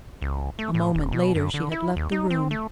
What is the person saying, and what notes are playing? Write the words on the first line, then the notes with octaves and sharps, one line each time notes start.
A moment later she had left the room.
C#2
A3
A2
D#1
B2
F#2
D3
E4
D#2
D#4
C4
A3